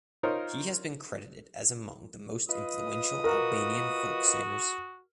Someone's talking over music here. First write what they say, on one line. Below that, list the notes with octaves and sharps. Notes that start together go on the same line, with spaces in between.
He has been credited as among the most influential Albanian folk singers.
D#4 F4 A#4 C5 C#5
F4 B4 D#5 D#6
F#4 A#4